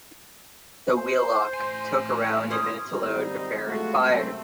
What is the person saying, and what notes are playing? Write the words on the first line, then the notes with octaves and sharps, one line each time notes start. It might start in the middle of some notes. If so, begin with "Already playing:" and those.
The wheellock took around a minute to load, prepare and fire.
C5
A2 G#5
C#4 C5 D#6
G#1 G3 C4 D#4
G#3 A3 F4 F#4
F#2 C3 A3 C4